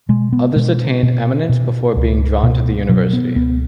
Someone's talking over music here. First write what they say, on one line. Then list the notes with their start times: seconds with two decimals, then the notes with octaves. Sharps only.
Others attained eminence before being drawn to the university.
0.09 B2 G#3
0.33 B3
0.55 B2 G#3
1.03 B2
1.49 B2
1.96 C#2
2.43 B2
2.89 B2 F#3
3.13 B3
3.36 C#2 B3